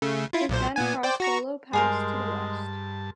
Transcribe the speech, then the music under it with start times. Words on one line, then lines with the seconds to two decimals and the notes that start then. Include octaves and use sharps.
It then crossed Lolo Pass to the west.
0.02 C#3 A3
0.33 E4 F4
0.49 B1 A#2 C5
0.76 A#2 B3 G#5
1.03 C5 D5 G5
1.20 F#4 A#5 C#6
1.73 G2 G#3 G#4 A#4 C5 A5